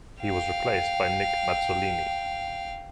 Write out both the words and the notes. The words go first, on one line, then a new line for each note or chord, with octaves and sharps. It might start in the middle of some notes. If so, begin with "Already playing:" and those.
He was replaced by Nick Mazzolini.
F5 G5